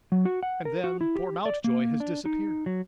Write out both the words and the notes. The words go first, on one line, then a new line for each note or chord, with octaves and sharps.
And then poor Mountjoy has disappeared.
F#3
F#4
F#5
A#4
F#4
E4
G4
D5
A#3
D4
D#4
F#3